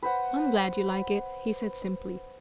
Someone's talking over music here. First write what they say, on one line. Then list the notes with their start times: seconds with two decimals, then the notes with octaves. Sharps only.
"I am glad you like it," he said simply.
0.03 B4 C5 F#5